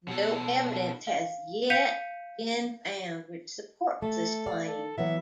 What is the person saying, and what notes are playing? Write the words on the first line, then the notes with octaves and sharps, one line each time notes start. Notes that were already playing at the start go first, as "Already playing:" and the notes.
No evidence has yet been found which supports this claim.
B2 A4
F5
F5 G6 B6 C#7 D#7 F7
A3 A4
D5 F5
A4
E3 F#3 B3 E5